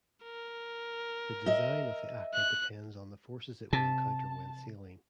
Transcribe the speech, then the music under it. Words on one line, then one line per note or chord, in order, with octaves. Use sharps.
The design of the aka depends on the forces it will encounter when sailing.
A#4
D#5 E5
F#6
C3 A5